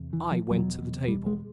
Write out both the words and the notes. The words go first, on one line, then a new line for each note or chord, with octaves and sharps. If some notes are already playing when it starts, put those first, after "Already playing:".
I went to the table.
Already playing: E2 C3
E3
F3
E2 B2 F#3
G3
G#3